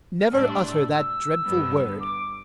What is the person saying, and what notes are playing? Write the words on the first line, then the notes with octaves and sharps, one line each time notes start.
"Never utter that dreadful word."
F6
A2 G3 D4 E6
C6
E6
E6
G2 D3 G3 B3
D6